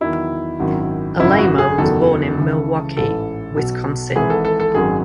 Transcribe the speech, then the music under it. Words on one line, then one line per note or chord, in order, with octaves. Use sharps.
Alaimo was born in Milwaukee, Wisconsin.
E2 D#3 F#3 E4
G#1 F#2 D#3 F#3
G#1 F#2 C#3 E4
F#4
G#4
F#1 E2 D#3 F#3 A4
C#2 C#3 E3
A1 G#2 E3 A4
B1 B2 F#3
G#1 G#2 E3 G#4
A4
A4
A4
G#1 F#2 D#3 F#3 G#4